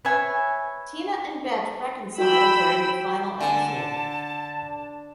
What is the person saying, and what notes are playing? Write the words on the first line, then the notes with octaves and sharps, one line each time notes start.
Tina and Bette reconcile during the final episode.
B4 C#5 E5 G#5
F#4 G5 B5 E6
D3 G#5 A5